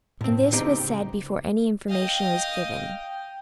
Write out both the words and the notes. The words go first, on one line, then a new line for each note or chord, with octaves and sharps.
And this was said before any information was given.
A2 C4
C#2 D#4 G4 C5 D#5 G5
D#5 F5 G5